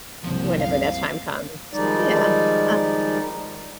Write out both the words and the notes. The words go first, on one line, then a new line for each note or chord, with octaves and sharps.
whenever that time comes. Yeah, uh
F#1 C2 F3 C4
F5
D#3 F3 G3 G#3 D#4 D5